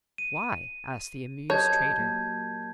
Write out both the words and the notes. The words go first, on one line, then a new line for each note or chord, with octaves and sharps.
'Why?' asked the amused trader.
D#7
F#3 G4 C#5 D#5 A5 G6 G#6
F#3 A#3